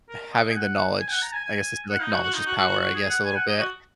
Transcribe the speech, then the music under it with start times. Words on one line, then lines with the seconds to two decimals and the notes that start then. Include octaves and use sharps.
having the knowledge, I guess is, like, knowledge is power, I guess, a little bit,
0.09 A#4
0.32 D#5
0.50 G#5
0.54 F#5
1.00 G#5
1.11 F#5
1.22 A#5
1.33 G#5
1.44 G#5
1.90 F#5
2.01 D#4
2.12 F#4
2.23 F#4
2.34 D#4
2.46 F#4
2.57 F#4
2.68 F#4
2.79 F#4
2.94 G#4
3.09 F#5
3.25 G#5
3.35 F#5
3.47 D#5
3.58 F#4